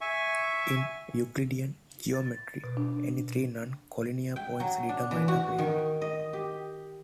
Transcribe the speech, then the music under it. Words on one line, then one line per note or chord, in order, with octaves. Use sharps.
In Euclidean geometry, any three non-collinear points determine a plane.
E5 G#5 C#6
A6
B2
D4
G5
F#3
D4
E3
F#4
D#3
D#5
G4